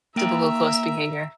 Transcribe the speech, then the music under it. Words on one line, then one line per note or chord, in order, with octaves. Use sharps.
Typical close behavior.
A#3 E5 G5 A#5